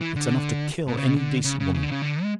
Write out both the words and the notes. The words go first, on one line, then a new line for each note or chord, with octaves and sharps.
It's enough to kill any decent woman.
E3
D3
B2
C#3
B2
D3
C#3
C#3
C#3
D3
C#3
D3
G#3